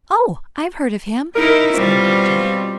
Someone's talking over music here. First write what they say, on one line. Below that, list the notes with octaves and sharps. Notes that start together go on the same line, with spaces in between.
"Oh, I've heard of him!" exclaimed Ojo.
D#4 E4 A#4
B2 G3 C4 F4